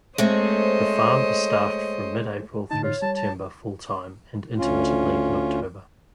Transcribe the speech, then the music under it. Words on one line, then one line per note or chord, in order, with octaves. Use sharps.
The farm is staffed from mid-April through September full-time, and intermittently in October.
G#3 A3 C4 C5 C#5 D#5
A2 D3 D#4 A5
F4 C#5
G3 A5
A5
D2 C#4 F4